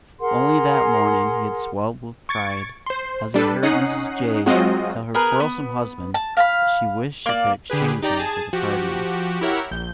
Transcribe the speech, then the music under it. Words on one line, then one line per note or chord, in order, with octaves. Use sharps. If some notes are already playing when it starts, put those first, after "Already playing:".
Only that morning he had swelled with pride as he heard Mrs. Jay tell her quarrelsome husband that she wished she could exchange him for the Cardinal.
G#4 A#4 F#5 C6
C#6 G#6 A6 C#7 D7
C5 C6
G3 D4 A4 B4
C#4 D#4 F#5 D#6 F#6 C7
F#3 G#3 C4 F4 F#4 D#5
B3 G#4 A#4 B4
B3
A5
F5 A5 B5
A#3 D5
D3 G4 G#4 B4
D#4 G4 D5 G5 A#5
G#4 G#5 A5
F3 F#4 G4
E4 G4 A#4 C#5 E5 F#5
A#1 G6